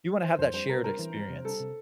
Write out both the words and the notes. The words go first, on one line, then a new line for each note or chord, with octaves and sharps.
You wanna have that shared experience.
E3 C5
F2 C5
G3 C5
C3 A#4
G3 A#4
E3
G3
C3
G3 A4
C3